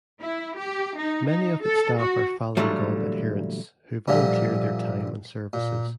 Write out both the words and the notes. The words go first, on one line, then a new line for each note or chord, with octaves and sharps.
Many of its staff are Falun Gong adherents who volunteer their time and services.
E4
G4
D#4
D#4
A4
F#4
A#2 D3 E3 F#3 G3 A3
A#2 D3 E3 F3 G3
A#2